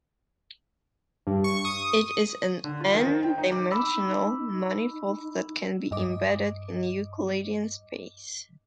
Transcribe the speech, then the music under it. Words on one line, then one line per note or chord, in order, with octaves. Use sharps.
It is an "n"-dimensional manifold that can be embedded in Euclidean -space.
G2
C#6
D#6
D3
F4
D#3
C5
G5
D#4
D6
D#4 B5 D6 E6
G2 D#5 D6